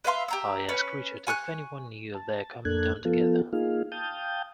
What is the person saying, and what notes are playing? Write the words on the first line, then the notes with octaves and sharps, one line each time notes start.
I asked Richard if any one knew of their coming down together.
B4 E5 F5 C6
G4 A#5 E6
C#4 B4
G#5 C#6 F6 F#6
A5
F2 A#3 D4 A4 F#6 G#6
F3 B3 F4 A4
A#3 D#4 F4 G#4 F5
F5 G5 A5 D#6 G6